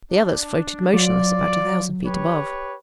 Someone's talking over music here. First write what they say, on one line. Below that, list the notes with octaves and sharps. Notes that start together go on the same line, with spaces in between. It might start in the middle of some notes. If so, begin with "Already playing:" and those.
The others floated motionless about a thousand feet above.
D4
F#3 F4 D5
G4 B4 C#5